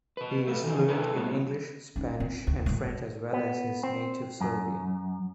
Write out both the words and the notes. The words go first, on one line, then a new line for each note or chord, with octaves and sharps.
He is fluent in English, Spanish and French as well as his native Serbian.
B2 B4
A3 B4
B2 D#3 E3 A4
C3 E4 A4 B4
A2 F#3 G3 B3
C#4 D#4
C4
D2
A2 A3
B3
C4
F#2